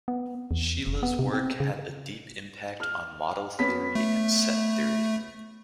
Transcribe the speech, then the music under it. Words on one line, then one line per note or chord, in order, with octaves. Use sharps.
Shelah's work has had a deep impact on model theory and set theory.
B3
E2
F1
B3
C3
C4
C#3
F6
B3 C#4 B6
A3